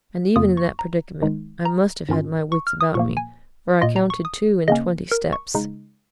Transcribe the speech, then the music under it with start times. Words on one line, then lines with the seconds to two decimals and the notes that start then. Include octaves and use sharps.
And even in that predicament I must have had my wits about me, for I counted two-and-twenty steps.
0.36 F2 C#3 A#3 F4 D#6
0.57 C#6
0.79 A#5
1.22 D#3 G#3 D#4
1.65 A#5
2.09 G#2 D#3 C#4 F4
2.52 C#6
2.67 F6
2.81 D#6
2.95 A#2 F3 A#3 C#6
3.17 G#5
3.81 A#2 A#3 F4 D#5
3.96 A#5
4.10 C#6
4.25 D#6
4.68 C#3 A#3 C#4 D#5
5.11 A#4
5.33 C#6
5.55 C#3 G#3 D#4